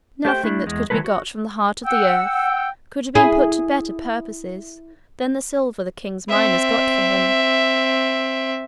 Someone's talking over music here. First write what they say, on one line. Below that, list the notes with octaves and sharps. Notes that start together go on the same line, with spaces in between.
Nothing that could be got from the heart of the earth could have been put to better purposes than the silver the king's miners got for him.
A3 G4 C5 G5
A3 D4 E4
E2 G#3
D#3 E3 F#3 G#3 A4 B4
F#4
F#5 G5 E6
G5
E4 G#4
C4 E5